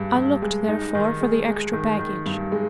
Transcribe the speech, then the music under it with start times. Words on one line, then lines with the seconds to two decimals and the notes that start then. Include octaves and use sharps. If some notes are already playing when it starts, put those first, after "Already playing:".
I looked, therefore, for the extra baggage.
Already playing: G2 G#3
0.16 G2
0.42 G#3
0.68 D#4
0.95 D#3
1.21 G#3
1.47 G#3
1.73 D#3
1.99 D#3
2.26 G2
2.52 G#3